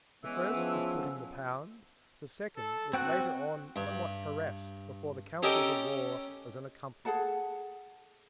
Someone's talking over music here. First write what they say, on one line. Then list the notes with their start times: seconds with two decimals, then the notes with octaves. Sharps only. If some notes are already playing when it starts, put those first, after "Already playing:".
The first was put in the pound, the second was later on somewhat harassed before the councils of war as an accomplice.
0.23 E3 G#3 B3 C#4 E6
0.55 F3
2.57 A4
2.93 C4 F#4 G5 F#6
3.76 G2
5.43 C#4 G4 A4 A#4 D#5
7.05 G#4 A4 F#5 A5